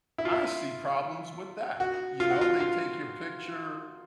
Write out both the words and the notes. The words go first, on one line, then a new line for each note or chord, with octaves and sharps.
I see problems with that, you know? They take your picture,
E4
F4
E4
F#4
F4
F#4
F4
F4